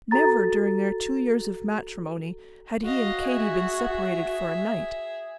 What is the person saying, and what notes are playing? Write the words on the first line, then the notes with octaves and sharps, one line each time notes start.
Never during their two years of matrimony had he and Katy been separated for a night.
F#4 A4 A#5 A6
F#4 D#5 F5
G#4 E5